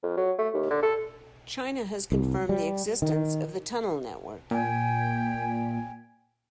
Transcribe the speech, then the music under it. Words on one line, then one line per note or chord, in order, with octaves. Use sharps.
China has confirmed the existence of the tunnel network.
F2
F#3
A3
D#2
D3
A4
C2
G3
D#3
A#2 G5 G#5